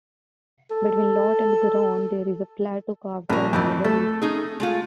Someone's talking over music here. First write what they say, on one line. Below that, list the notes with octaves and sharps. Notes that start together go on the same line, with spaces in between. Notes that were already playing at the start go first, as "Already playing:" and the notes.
Between Lot and Garonne, there is a plateau carved by many valleys.
A4
A#1 C#4 A#4
F2 D#3 E3 A3
A3 A4
C#4 D#4 G#4
G#3 A3 F4